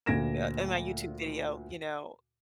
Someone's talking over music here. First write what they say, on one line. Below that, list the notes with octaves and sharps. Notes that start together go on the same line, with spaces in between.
uh, in my YouTube video, you know?
D2 A#2 G#6 A#6 D7 E7